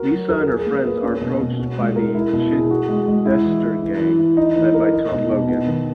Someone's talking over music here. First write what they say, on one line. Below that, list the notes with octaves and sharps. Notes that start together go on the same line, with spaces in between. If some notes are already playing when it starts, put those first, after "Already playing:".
Lisa and her friends are approached by the "Chidester Gang", led by Tom Logan.
Already playing: F#4 A#4
F#3
A#4
G#4
A#3
B4
C#4
B2
B2
F#4
G#3
A#4
E4
B2
G#4
F#4
G#3
G#3
E4
E3
E3
E4
E3
E3
D#4
E3
A#4
D#4
B2
B2
B3
D#3